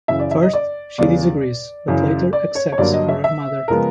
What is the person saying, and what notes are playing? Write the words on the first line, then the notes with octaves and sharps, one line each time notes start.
First she disagrees but later accepts for her mother.
F#2 C#3 E3 E5
D5
E5
D#5
D5
E2 C#3 E3 G3 D5
F#2 C#3 E3
D5
C#5
C#5
G2 D3 F#3 A#3 D5
D#5
E5
E5
C#3 F3 G#3 B3 A#4